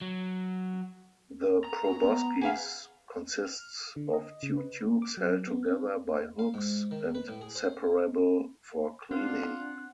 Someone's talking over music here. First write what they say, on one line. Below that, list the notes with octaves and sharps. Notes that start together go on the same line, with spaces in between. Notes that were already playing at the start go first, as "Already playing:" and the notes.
The proboscis consists of two tubes held together by hooks and separable for cleaning.
F#3
A#5
F#4
B3
G#4 B4 F5 F#5
F6
D3
D#5
C#3
B4
D6
F#3
B3
C4
F5
G#2
D#3
B4
A2
G#4
C5
C4 D4 F4 F#5